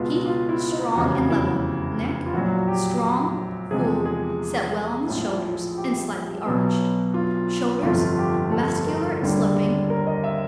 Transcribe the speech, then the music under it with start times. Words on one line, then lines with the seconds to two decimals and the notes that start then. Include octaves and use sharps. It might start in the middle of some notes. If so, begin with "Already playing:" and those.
TEETH--Strong and level. NECK--Strong, full, set well on the shoulders, and slightly arched. SHOULDERS--Muscular and sloping.
Already playing: C#2 B2 G#3 B3 F4 F#4
0.26 F4
0.49 E4
0.72 D#4
0.95 F1 E2 C#3 F#4
1.30 E4
2.26 F4
2.33 A#1 A#2 F#3 F#4
2.68 G4
3.71 E2 C3 F3 G#3 G#4
4.06 G#4
5.08 A#1 A2 F3
5.78 G4
6.45 B1 B2 F#3 B3
7.14 F4
7.83 G1 F2 C3 F3 A3 F4
8.18 G4
8.52 A4
8.86 A#4
9.21 D#2 D3 G3
9.90 A#4
10.07 D#5
10.24 E5